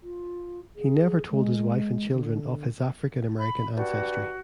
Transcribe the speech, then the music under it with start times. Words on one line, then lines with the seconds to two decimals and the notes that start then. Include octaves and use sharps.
He never told his wife and children of his African American ancestry.
0.01 F4
0.75 G#4
1.29 G#3
2.11 D3
3.39 B5
3.77 G2 F#4